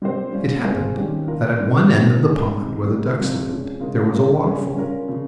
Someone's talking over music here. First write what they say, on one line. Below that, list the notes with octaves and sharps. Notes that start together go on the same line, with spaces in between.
It happened that at one end of the pond where the ducks lived there was a waterfall.
G3 C4 G4 C5
G3 C#4 F4
G3 C4 F4 G#4 C5
D#3 G3 C#4 G4
F3 A#3 F4 A#4
G#2 G3 C4
F3 C4 D#4 G4 A#4
G#2 F3 G#3 C#4 G#4
G#2 G3 C4
G#2 G3 A#3
F2 C3 G3 C4 F4
F3 G#3 C#4
C#3 G#3 C#4 F4 A#4
G3 C#4 F4 A#4
C#3 G3 C#4 G#4
G3 C#4 F4 A#4
C#3 F3